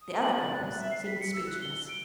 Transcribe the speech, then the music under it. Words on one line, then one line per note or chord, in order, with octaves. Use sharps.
The other girls seemed speechless.
D#6
F#7
A6
F#6
E5
C7
B6
C#7
E6
F#6
G7
D7